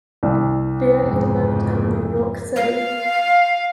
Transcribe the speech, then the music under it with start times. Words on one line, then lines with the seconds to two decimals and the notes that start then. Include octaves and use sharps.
There he lived in New York City.
0.23 C2
1.01 F2 G#2 C#3
2.56 F5